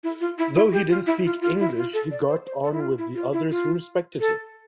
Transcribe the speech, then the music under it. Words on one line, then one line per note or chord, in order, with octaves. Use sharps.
Though he didn't speak English he got on with the others who respected him.
E4
F4
E4
E4
G4
F4
E4
F4
F4
E4
F4
A4
D5
C5
C5
A4
E4
F4
E4
F4
E4
F4
A4